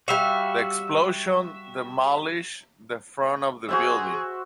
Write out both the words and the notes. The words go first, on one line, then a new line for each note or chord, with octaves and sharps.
The explosion demolished the front of the building.
G3 F#4 E5 F5
F#4 G#4 C5 E5